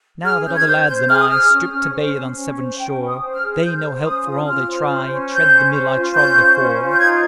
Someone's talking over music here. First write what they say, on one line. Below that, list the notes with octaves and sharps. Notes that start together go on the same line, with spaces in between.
Now that other lads than I Strip to bathe on Severn shore, They, no help, for all they try, Tread the mill I trod before.
G#4 F6
C#4 G6
G#6
C5 G6
C5 G6
G#4 F6
D#6
G#4 F6
C#4
C#4
C5
C#4
C#4
C5
C#4 G5
C#4
D#6
C5
F6
G#4
C5 G6
C5
C#4 D#6
F4
F4 F6
C5
C#4
C#4
C5 G6
C#4
C5
F4
C#4 G6
C5
C#4
F4
G6
D#4 G#6